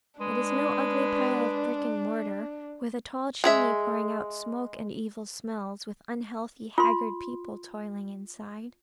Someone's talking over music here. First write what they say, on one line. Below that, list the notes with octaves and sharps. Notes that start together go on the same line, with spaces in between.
It is no ugly pile of brick and mortar, with a tall chimney pouring out smoke and evil smells, with unhealthy, haggard people toiling inside.
G#3 D4 B4
G#3 G#4 E5
F4 C6